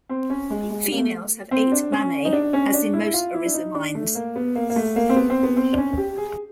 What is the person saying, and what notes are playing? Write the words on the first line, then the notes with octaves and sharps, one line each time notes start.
Females have eight mammae, as in most oryzomyines.
C4
C#4
G#3
G#3
G3
A#3
A3
C4
D4
C#4
D#4
D4
C#4
D4
E4
F4
E4
D4
D#4
D4
A3
A#3
B3
A#3
A#3
A3
A#3
C4
B3
C4
B3
C4
D4
C#4
G4
G#4